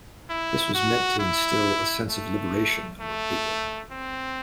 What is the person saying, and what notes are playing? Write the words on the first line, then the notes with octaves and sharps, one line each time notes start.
This was meant to instill a sense of Liberation among people.
E4
F#4
E4
A3
A3
C4